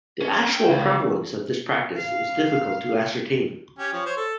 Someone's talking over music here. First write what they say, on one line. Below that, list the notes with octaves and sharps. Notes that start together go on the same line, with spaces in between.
The actual prevalence of this practice is difficult to ascertain.
C#4
G5
C#2
F5
C#4 G4
F3 C#5
C5 C#5
A4